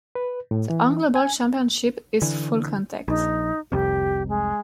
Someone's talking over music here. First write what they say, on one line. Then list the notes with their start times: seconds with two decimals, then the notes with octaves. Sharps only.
The Angleball Championship is full contact.
0.15 B4
0.51 A2
0.70 E3
1.15 G#5
2.22 D3 E3
3.08 A#1 D#4
3.72 F1 C2 F2 G4
4.29 G#3